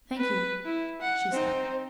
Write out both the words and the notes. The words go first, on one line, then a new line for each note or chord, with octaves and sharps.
"Thank you," she said.
B4
E4
F#5
C4 D#4 C5